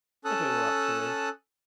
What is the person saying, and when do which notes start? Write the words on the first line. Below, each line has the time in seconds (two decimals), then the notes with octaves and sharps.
If it were up to me.
0.25 C#4 A4 A5 D#6 E6 F#6